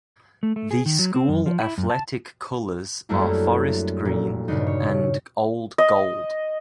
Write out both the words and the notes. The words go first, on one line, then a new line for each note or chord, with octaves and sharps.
The school athletic colors are forest green and old gold.
A3
A3
G#4
D#3
F#3
C4
F#2
F3
E4
F#2
A5
F#2 G3 A3 A#3 D4 E4
F1 A#2
G2 A#2 C#3 D4 D#4
C#5
D#5